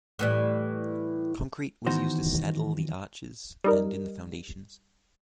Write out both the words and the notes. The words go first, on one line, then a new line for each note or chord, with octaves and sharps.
Concrete was used to 'saddle' the arches and in the foundations.
A2 E3 G3
D#3 E3 B3 D#4 F#4 C5
G3 D#4 A#4